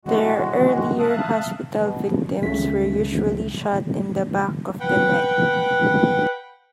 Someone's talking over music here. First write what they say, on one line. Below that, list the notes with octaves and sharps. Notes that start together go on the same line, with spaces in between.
Their earlier hospital victims were usually shot in the back of the neck.
A2 G#3 F#4
E5 F5 A5 D#6 F#6
B2
C#2 C#3 A3 B6
B4 F#5 G5